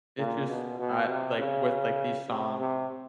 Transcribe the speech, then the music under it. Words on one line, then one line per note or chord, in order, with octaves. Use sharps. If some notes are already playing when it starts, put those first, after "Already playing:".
It just I like, with, like, these songs,
A#2
B2
B2
C3
C#3
C3
C3